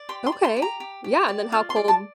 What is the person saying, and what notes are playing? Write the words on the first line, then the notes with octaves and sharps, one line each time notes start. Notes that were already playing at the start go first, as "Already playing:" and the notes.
Okay. Yeah. And then how cold
Already playing: D5
G4 C6
C6
D5
C6
G4
A#5
G4
G4
D5
F4 F5
C6
D5
A5